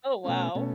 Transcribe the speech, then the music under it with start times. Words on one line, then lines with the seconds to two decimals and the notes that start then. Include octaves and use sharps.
Oh, wow.
0.24 B2 A3 C#4
0.55 B2 A3 C#4